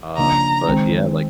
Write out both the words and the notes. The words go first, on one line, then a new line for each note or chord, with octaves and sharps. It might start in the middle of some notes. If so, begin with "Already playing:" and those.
Uh, but yeah, like
C#3 F3 A#3 D4 A#5
D#3 G#3 C4